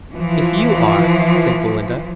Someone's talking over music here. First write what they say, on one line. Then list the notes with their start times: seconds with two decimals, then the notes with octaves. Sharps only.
"If YOU are," said Belinda.
0.14 E3 F3